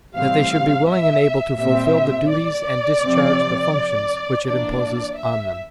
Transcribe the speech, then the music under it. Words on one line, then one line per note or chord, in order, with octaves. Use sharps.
That they should be willing and able to fulfill the duties and discharge the functions which it imposes on them.
A2 E3 G3 C4 F5
E5
A#2 G3 C4 E5
D5
C3 F3 C4
E3 A#3 D4 D5
E5